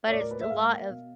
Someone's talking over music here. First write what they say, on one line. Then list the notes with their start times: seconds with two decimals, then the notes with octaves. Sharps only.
but it's st a lot of
0.07 C#5
0.12 A2 D5
0.21 A#4
0.31 A#3 B4
0.41 E5
0.50 G#2 F5
0.71 A#3
0.89 B2